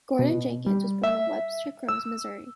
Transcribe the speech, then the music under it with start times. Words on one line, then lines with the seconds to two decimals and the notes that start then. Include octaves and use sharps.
Gordon Jenkins was born in Webster Groves, Missouri.
0.19 B2
0.66 G3
1.04 E5
1.89 E6